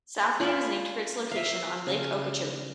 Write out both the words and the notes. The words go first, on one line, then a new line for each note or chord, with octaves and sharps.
South Bay was named for its location on Lake Okeechobee.
F4 D5 G#5 B5
E5 F5
C#3